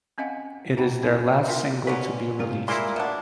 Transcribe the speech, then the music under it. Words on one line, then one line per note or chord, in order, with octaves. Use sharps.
It is their last single to be released.
C4 C#4 D#5 F5 F#5 G#5
D#4 F#4 F#5 G5 A5 B5
C#4 E4
D4 F4 A#4 E5
G#3 A#3 C#4 B4 D5 F#5
G2 C3 F4
A#2 G#3 A#3 E4 C6
B2 D4 E5 F#5